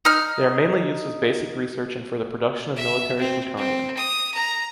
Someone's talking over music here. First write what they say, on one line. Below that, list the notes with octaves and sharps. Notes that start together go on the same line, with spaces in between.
They are mainly used as basic research and for the production of military plutonium.
D#4 F6
E5
C4
C4
D#6
A#5